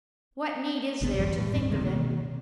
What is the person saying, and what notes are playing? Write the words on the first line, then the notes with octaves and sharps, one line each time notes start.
What need is there to think of it?
G#1 D2 C3 B3
F#2 E3 G3
A2 G3
D1 G2 C4
C3 D#3 G#3
B2 D#3 A#3 C4